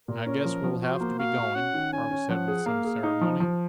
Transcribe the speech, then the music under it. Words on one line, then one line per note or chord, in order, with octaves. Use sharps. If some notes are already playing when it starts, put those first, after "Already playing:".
"I guess we'll have to be going," Park said with some ceremony.
A#2 A#4
C#4
F3
F3
F#4 C5
A#3
F#4 F5
F#4
C#4 F#5
D#3
C#4 G#5
C#4
F3 F#5
G#4
A#3 F5
G#4
D#4
F3
F3